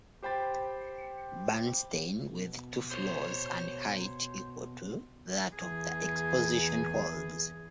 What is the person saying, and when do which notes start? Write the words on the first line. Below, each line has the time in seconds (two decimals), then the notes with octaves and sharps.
Bernstein with two floors and height equal to that of the exposition halls.
0.23 G4 C5 G5 B5 A6
2.29 B2
2.92 C5 C#5
5.55 E2 G#4